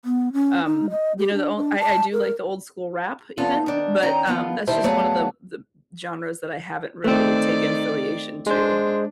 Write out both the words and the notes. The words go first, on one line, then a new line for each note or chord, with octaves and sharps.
um, you know, the ol I I do like the old-school rap even, but, um, that's just one of the the genres that I haven't really taken affiliation to.
B3
C#4
D#4
D#5
G4
D4
D4
A5
A#4
E2 B3 F4 A4
D#3 D4
D#3 C#4 D#4 G5 A#5
D#3 F3 B3 F4
D2 D#3 G3 E4 C5 A5
F#3 A3 B3 G#4 F5
D#3 A3 C4 D5
G#3 D4 C5